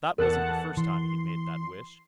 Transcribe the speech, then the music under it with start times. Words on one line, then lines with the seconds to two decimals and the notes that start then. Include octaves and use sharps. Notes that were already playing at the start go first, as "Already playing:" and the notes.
That wasn't the first time he'd made that wish.
0.18 E2 A4 A#4 F#5 A5
0.77 E3 C6